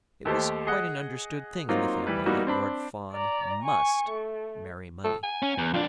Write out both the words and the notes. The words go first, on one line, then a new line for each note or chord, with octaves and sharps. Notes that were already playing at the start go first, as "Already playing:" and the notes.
It was quite an understood thing in the family that Lord Fawn must marry money.
D#2 A3 G4 C5
G#4 D#5 F#5
F#3 A#3 C4 D#4 F4
E3 G3 B4
E3 G3 A#3 B3 D#4 F#4
C4 D4 B5
D5 A#5
G#5 C#6
A3
A4
G#5
C#4
E2
F2 D4 F4